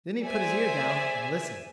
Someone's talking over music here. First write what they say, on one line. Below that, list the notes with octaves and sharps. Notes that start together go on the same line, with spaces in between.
Then he put his ear down and listened.
G#4 C5 D5 E5 G#5